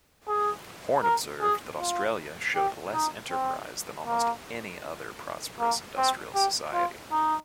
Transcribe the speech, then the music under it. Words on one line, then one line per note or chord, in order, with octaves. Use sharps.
Horne observed that Australia showed less enterprise than almost any other prosperous industrial society.
G#4
A#4
G#4
F4
G4
D#4
C4
A#3
A#3
C4
G4
F4
D#4